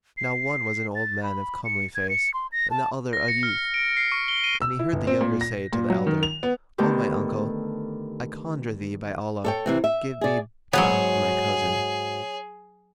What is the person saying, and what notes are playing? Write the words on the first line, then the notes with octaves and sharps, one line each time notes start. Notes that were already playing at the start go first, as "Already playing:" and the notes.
Now one was an old man of comely face and the other a youth; and he heard the younger say to the elder, "O my uncle,, I conjure thee by Allah, give me back my cousin!"
C7
A6
B5
C#7
G#6
C#7
C6
A#6
A5
A#6
C#7
F6
D7
C7
C#6
G7
D#7
E6
E4
G1
C4
A#2
A#6
A#2
F#3
D#3
F7
B3
D3 D#3 A3 B3 G4
A4 C#5 G5
C3 E3 C4
E5
G#4 D5
G#2 F#3 B3 F#4 G#4 C#5